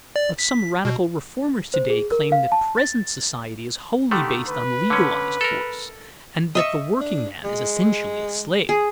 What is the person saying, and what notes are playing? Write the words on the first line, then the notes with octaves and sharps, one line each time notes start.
But some radical reformers to-day claim that present society is wholly based on legalized force, and that the workingman is essentially a slave.
D5
B6
B2
C5
G#4
A#4
F5
A5
A6
D3 D#3 A3 G4
B4
D3 C#4
A4 A#4
D#5 E5 C#6
D4
G#3
G#4